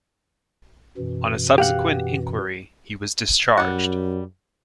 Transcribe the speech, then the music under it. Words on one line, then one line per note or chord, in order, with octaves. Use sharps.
On a subsequent inquiry he was discharged.
F#2 B2 E3
G4 F5 F#5
F#2 G3 F#5